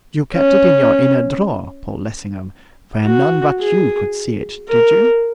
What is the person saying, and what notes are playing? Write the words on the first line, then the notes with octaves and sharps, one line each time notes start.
'You kept it in your inner drawer, Paul Lessingham, where none but you could see it,--did you?
C#4
F#4
G#4
A#4